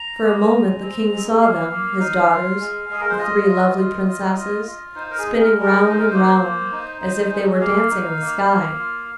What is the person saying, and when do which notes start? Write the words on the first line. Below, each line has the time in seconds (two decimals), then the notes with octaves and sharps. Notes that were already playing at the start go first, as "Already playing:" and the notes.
For a moment the King saw them, his daughters, the three lovely princesses, spinning round and round, as if they were dancing in the sky.
Already playing: A#5
0.23 A#3
0.52 G#3
0.82 C4
1.11 G#3
1.41 A#3 F5
1.71 A#3
2.00 D#4
2.30 F4
2.59 G#3
2.89 G#3 G#4
3.00 A#4
3.10 C5
3.18 F4 D#5
3.48 F4
3.77 F4
4.07 F4
4.37 F4
4.66 F4
4.95 D#4 C5
5.11 A#4
5.18 G#4
5.25 G#3
5.40 A#4
5.55 G#3
5.61 A#4
5.84 D#4 D#5
5.91 C5
5.99 A#4
6.07 C5
6.13 A#3
6.43 A#3
6.72 D#4
7.02 D#4
7.31 G#3
7.61 A#3 F5
7.91 D#4
8.21 A#3
8.50 A#3
8.79 F4